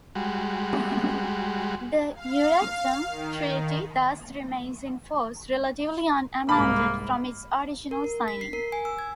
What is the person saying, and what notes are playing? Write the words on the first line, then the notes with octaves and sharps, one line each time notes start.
The Euratom treaty thus remains in force relatively unamended from its original signing.
G3 G#3 F#4
F5
D#3
C2 G#2 A#3 B5
A#4
A#4
B6
C7
A#4
G#5
E6
G#6